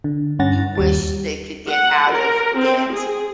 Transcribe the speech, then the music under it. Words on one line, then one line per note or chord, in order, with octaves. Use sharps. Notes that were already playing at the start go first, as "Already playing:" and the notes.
you wish they could get out of it.
D3
G2 C#4 F#5 A6 A#6
D#2 G3 A6
F#5
A#4
C4
G#4